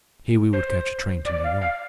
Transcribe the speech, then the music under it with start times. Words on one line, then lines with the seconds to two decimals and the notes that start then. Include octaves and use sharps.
Here we would catch a train to New York.
0.53 C5
1.25 D5
1.44 F5
1.61 F5